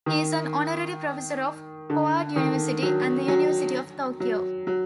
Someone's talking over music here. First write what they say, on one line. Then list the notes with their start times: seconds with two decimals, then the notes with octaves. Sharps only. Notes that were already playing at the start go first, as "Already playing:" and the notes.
He is an honorary professor of Howard University and the University of Tokyo.
0.06 D#3
1.90 D3
2.36 D#3
2.82 F#3
3.28 F#3
4.20 F#3
4.67 F#3